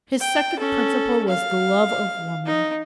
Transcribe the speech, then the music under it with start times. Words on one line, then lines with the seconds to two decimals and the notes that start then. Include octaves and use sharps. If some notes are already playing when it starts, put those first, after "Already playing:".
His second principle was the love of woman.
0.21 G5
0.59 C#4 A4
1.29 F5
2.46 D#4